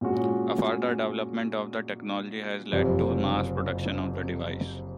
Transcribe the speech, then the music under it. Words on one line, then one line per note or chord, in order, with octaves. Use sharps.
A further development of the technology has led to mass production of the device.
A#2 G#3 C#4 F#4
F#1 F2 C3